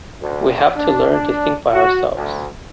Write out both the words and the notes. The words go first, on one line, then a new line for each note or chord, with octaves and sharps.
We have to learn to think by ourselves.
D2
D4
D4
F#4
D2